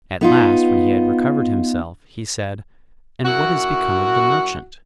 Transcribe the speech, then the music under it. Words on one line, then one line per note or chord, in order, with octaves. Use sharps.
At last, when he had recovered himself, he said, "And what is become of the merchant?"
B3 D#4 F4
F#2 E4 F#4